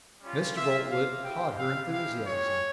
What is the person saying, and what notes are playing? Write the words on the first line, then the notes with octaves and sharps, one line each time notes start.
Mr. Boltwood caught her enthusiasm.
G3 C#4 F4
A#3 F4 E5
A#3 F4 F5
C4 E4 G4 G5
G3 C4 G4 F5
G#3 E4 G4 F5
G#3 C#4 G4 C#5